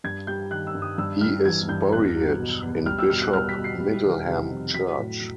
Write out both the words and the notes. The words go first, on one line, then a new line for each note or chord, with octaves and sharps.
He is buried in Bishop Middleham church.
G2 G#6
G3 G6
D#3 F#6
E6
G2
D#6
G2 E6
G3 F6
E3 G#6
G2 G6
E2 F#6
F#3
B2
E2
G3 F6
E6
B2 F6
F#6
G3 F6
B6
B2
C7
G3
D#3
C3
F2
F#3 B6
A2
F#3